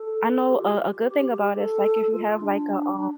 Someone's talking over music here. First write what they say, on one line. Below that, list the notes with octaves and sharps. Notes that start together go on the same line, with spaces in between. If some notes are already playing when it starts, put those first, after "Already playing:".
I know a a good thing about it is, like, if you have like a, um
Already playing: A4
A4
G4
F4
G4
A4
F4
D4